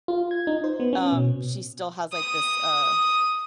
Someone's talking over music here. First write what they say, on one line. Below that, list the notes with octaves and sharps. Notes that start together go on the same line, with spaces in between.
um, she still has, like, this, uh,
F4
G#6
D#4
C5
B3
C#4
B2
D#6